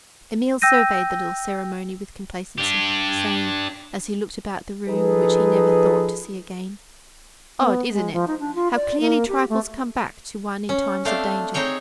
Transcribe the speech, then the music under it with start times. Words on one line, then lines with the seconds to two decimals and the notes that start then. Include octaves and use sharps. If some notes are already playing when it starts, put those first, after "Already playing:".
Emil surveyed the little ceremony with complacency, saying, as he looked about the room which he never thought to see again: 'Odd, isn't it, how clearly trifles come back to one in times of danger?
0.62 G5 E6 G6 A#6 D#7
2.58 D4 G4
4.88 F3 D#4 G#4 A4 B4
7.60 B3
7.92 G#3
8.13 F3
8.28 D#4
8.39 D4
8.55 F4
8.75 D5
9.01 A#3
9.28 G4
9.50 A3
10.69 C#4
11.05 A3 C4 D4 F5
11.54 C4 D#4 G#4 C#5 G5